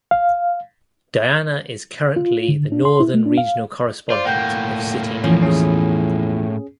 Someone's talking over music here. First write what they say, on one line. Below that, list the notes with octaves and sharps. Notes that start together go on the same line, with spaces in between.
Diana is currently the Northern Regional correspondent of Citi News.
F5
F4
D3
D4
C6
E4
A3
D4
F5
F4 C5 D5
A2 A#3 F#5 G5 G6
E2 E3 F3 C#4
C#4 G#4